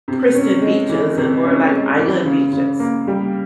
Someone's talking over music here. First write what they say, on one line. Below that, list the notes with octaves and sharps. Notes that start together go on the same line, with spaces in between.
pristine beaches and more, like, island beaches."
C3
C#4
G#3
E3
C3
C#4
G#3
E3
C#3
C#3
A#3
G3